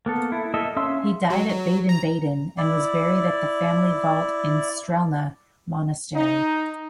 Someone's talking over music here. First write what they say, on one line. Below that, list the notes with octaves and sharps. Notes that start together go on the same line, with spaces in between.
He died at Baden-Baden and was buried at the family vault in Strelna Monastery.
A#3 B3 A4
E4
A#3 A4 D#5 E5
C#4 E5 F5 C6 E6
F#3
F#3
A#5
E4 D5
D#4